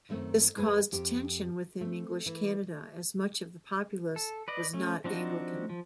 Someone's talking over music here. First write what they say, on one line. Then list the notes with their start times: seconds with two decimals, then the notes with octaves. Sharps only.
This caused tension within English Canada, as much of the populace was not Anglican.
0.09 F#2 D#3 A3 C4
0.56 F2 G#3 G#4 B4 G#5
0.92 F2 G4
1.81 A3 C4
2.26 E3
4.16 A4
4.48 B4 D5 D#5
4.73 A3 C#4
5.04 F3 C4 D4 D#4 F#4
5.69 F3